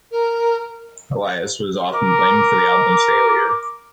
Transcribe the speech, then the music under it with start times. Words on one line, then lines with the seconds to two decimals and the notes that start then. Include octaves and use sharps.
Elias was often blamed for the album's failure.
0.11 A#4
1.94 A#4 D6